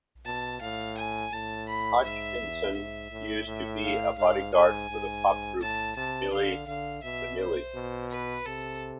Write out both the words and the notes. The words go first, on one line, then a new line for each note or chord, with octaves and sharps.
Hodgkinson used to be a bodyguard for the pop group Milli Vanilli.
B2 A5
A2 F5
G#5
A2 A5
B5
G#2 E5
E2
G#2 E5
A2
A2
F5
G#2 F5
G#2 G#5
G#2
A2 A5
C3 A5
D3 F5
D3 F5
B2 E5
C5
B2
B4
C3 A4